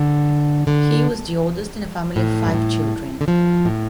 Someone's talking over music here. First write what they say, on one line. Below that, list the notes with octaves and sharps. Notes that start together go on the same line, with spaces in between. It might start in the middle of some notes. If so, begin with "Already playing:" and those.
He was the oldest in a family of five children.
Already playing: D3
D3
A2
G2
A2
D3
F3
A2